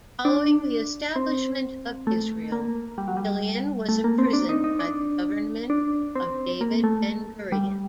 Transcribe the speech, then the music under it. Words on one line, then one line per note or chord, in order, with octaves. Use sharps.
Following the establishment of Israel, Ghilan was imprisoned by the government of David Ben-Gurion.
D4
C4
A3
A#3
G3
F#3
G3
A3
A#3
C4
D4
D#4
D#4
D4
D4
C4
A#3
A3
G3